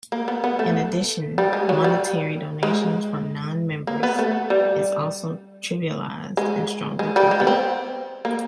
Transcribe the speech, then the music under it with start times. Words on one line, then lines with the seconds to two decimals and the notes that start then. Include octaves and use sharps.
In addition, monetary donations from non-members is also trivialized and strongly prohibited.
0.12 A#3
0.28 B3
0.44 B3
0.59 A3
1.38 G3
1.53 G#3
1.69 F#3
1.84 G3
2.63 G#3
3.87 A#3
4.03 B3
4.19 A3
4.50 G3
6.37 G#3
6.99 G#3
7.16 G3
7.31 G#3
7.40 B3
7.47 C4
8.25 A#3